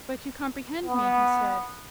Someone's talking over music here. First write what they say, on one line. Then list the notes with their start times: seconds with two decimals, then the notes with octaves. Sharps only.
"But you comprehend me?" he said.
0.86 B3